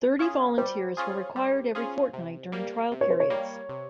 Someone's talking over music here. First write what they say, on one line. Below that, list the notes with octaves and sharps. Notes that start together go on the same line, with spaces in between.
Thirty volunteers were required every fortnight during trial periods.
C#4 F4 G#4
G3 C5
C#4 F4 G#4
G3
C#4 F4 G#4
C3
G3 A#3
C3
C#5
C5
C#5
G3 A#3
C3